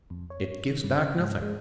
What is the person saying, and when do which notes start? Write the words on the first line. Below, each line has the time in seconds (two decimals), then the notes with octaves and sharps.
It gives back nothing.
0.10 F2
0.30 C#5
0.68 D#3
0.84 G2
0.97 C#3
1.18 G#2
1.42 G#3